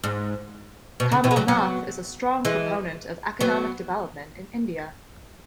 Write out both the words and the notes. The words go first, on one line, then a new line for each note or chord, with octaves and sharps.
Kamal Nath is a strong proponent of economic development in India.
G#2
B2
C#3
B2 E3
G#3
C#3 F#3
F#3 B3
E3 G#3
F#3 B3